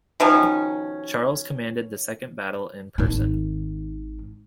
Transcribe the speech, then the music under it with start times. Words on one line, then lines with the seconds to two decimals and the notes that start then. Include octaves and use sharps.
Charles commanded the second battle in person.
0.20 B2 D#3 F3 C#4
2.98 G#1 D#3